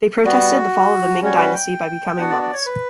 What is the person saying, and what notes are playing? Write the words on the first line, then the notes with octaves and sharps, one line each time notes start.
They protested the fall of the Ming dynasty by becoming monks.
G3 B3 F#4
G3 C#4 F#4 C#5
B4
G5
B3 D4 F#4 F#5
D5
D5
C#5
B4